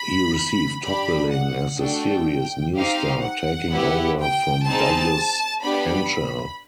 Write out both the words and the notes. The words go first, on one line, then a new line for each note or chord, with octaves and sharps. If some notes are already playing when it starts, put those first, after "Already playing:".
He received top billing as the series' new star, taking over from Douglas Henshall.
Already playing: B5
D4 G4 B5
F#5
A3 D4 F#4 A4 G5
C4 D#4 G4 F5
F#5
B3 E4 G4
G5
C4 D#4 G#4 A5
B3 D4 G4 B5